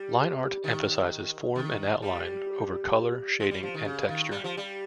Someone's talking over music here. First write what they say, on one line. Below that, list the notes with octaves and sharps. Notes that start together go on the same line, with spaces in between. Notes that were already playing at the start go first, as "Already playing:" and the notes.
Line art emphasizes form and outline, over color, shading, and texture.
Already playing: G3
D#3
D#3
G3
G#3
G3
F3
D#3
C#3
D#3
G3
F3
G3